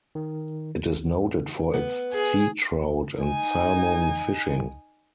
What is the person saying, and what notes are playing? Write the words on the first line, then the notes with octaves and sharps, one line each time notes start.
It is noted for its sea trout and salmon fishing.
D#3
B3
G#4
D#4 G#5